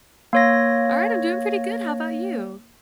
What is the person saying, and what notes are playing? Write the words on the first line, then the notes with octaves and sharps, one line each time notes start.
Alright, I'm doing pretty good, how 'bout you?
A#3 C#5 A#6